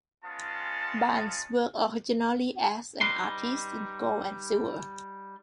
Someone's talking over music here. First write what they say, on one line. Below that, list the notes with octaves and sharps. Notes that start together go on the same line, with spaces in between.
Barnes worked originally as an artist in gold and silver.
G#3 B3 C#4 F4 G#4 A5
G3 D#4 B4 C6